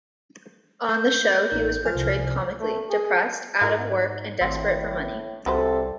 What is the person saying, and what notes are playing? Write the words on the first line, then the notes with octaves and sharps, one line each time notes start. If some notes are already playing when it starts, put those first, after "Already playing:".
On the show he was portrayed comically; depressed, out-of-work, and desperate for money.
A3 G6
A1 D#4 A#4
C2 F3 G#5 F6
A3
G#4
G#2 E4 F#4 A#4
G#1 A2 C4
C2 C3 F#4 A4 B4 C5